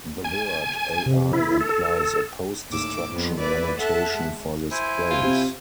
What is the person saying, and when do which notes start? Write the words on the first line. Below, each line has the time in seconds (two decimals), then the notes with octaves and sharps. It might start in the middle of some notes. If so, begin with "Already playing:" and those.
The word "Ai" implies a post-destruction lamentation for this place.
0.24 G#5
1.06 C3
1.33 E4
1.61 A4
2.68 D#2 A2 D6 E6
3.09 F2 F3 B3
3.38 E4 B4 D5 D6
3.76 A4 E5 F#5 A5 F#6
4.14 G#3
4.71 E4 C5 G#5
5.11 F4
5.24 C3